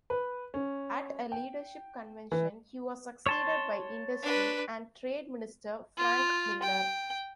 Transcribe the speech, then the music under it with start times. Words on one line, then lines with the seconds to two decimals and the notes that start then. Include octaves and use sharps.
At a leadership convention, he was succeeded by Industry and Trade Minister Frank Miller.
0.10 B4
0.54 C#4
1.32 G5
2.32 E3
3.26 C#5 A5 C6
4.22 D4 B4
5.98 F4
6.63 G5